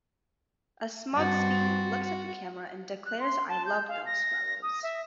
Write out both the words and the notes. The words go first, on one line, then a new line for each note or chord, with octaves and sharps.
A smug Speedy looks at the camera and declares I love those fellows.
G2 C4 F#4 A6
F#4
F#6
C6
A5
G6
F5
A#6
D#6
E5